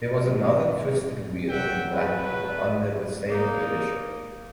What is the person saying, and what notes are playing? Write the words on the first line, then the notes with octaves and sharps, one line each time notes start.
There was another Twisted Wheel in Blackpool under the same ownership.
D#3 F#3 G#3
F#3 E5 F#5 G5
A3 B4
A#3 D#4